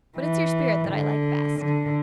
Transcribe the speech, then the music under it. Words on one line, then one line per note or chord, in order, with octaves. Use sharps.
But it's your spirit that I like best.
E3
D3
D3